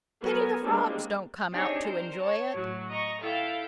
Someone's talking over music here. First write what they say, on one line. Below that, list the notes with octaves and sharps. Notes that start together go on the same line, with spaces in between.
"Pity the Frogs don't come out to enjoy it!"
F#3 B3 A4 A#4 G#5
G3 G#3 A#3 C4 D4
C4 D4 D#4 G4 G#4 C#5
A#4 C5
C#5 A5
A2 F#3
D#5 A#5 C#6
E4 A4 F5 G5